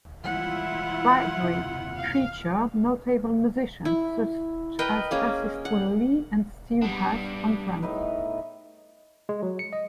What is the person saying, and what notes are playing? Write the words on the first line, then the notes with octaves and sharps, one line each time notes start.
"Vibrate" featured notable musicians such as bassist Will Lee and Steve Hass on drums.
E3 G3 G#3 E4 F4 F#5
F#1 D#2 C3
F5
E4
A#4 B4 D#5 G5
A#3 C#4 G#4
F#5
G3 B3 D4
A2 D#4 B4
G#3
F#3
C#7
D#5